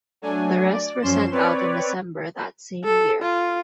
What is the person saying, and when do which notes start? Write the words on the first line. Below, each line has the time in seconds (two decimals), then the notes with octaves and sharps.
The rest were sent out in December that same year.
0.22 F#3 A3 D4 G#5
0.71 D5
1.02 F#2 F3 C#4 C6 E7
1.31 C4 B4 C#5 D5
2.85 A4
3.22 F4